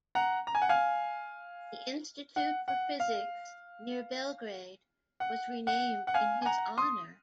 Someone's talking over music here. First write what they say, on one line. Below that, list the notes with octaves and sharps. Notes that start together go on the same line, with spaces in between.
The Institute for Physics, near Belgrade, was renamed in his honour.
F#5 A#5
A#5
G#5
F#5
F5 G#5
F#5
F#5
F5
F#5
F#5
F#5
F5 G#5
G#5
F#5 A#5
C6 D#6